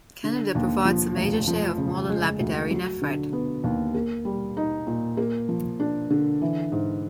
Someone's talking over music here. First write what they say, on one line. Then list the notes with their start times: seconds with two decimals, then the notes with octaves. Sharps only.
Canada provides the major share of modern lapidary nephrite.
0.24 D3
0.55 D#2
0.85 F3
1.17 F1
1.48 F3
1.78 C#3
2.09 G#3
2.40 D2
2.71 F#3
3.02 D3
3.33 B3
3.64 D#2
3.95 A#3
4.25 G3
4.57 D#4
4.87 A#2
5.17 A#3
5.49 F3
5.80 D4
6.10 D3
6.42 E3
6.72 G#2